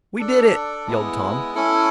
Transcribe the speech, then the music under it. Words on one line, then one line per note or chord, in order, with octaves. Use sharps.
"We did it!" yelled Tom.
D4 A4 D5
G#3 B3 E4
C#4 E4 A4